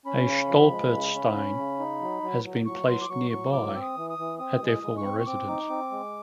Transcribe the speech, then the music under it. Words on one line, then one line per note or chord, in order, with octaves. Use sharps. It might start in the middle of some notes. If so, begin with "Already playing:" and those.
A "stolperstein" has been placed nearby at their former residence.
C#4 B5
C#3
F3
G#3
C#3
C#4
C#4
C#3
D#4
F#3
F#3
F#3
F#3 C#6
F#3 C6
D6
F#3 C#6
F#3 C#6
A2 D6
C4 E6
D#6
E3
D#6
E3
C4 D#6
G#3
D#6
G#3
C#6
C4
C#6
C4 D6
D#4
C4
G#3